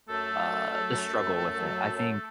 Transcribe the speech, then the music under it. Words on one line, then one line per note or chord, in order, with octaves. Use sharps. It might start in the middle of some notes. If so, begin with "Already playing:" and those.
uh the struggle with it. I think
F#2 A3 A4
F#3
F#2
F#3
F#2
F#2
F#2
F#3
F#2
F#3